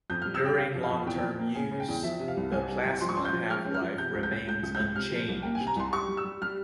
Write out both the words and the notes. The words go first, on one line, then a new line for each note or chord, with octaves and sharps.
During long-term use, the plasma half-life remains unchanged.
F2 G6
G3 F6
E6
C3 G5
C3 F5
F2
F5
F2
E2 G5
F3
A#3
C#3 G#5
C#3
G5
E2
F3 E5
C3
F5
C2
C2 G#5
C3
C2
F3 C6
C#6
C#4 C6
G6
F3
G#3 F6
C#4
F6
F3
C3 G6
C#2
G6
C#2
C#2 G6
C#2
C#2 G6
C3 F6
F3
C2
A#3 G5
G#5
C3
A#5
C2 C6
G3 C#6
G3
E6
G3
G3 F6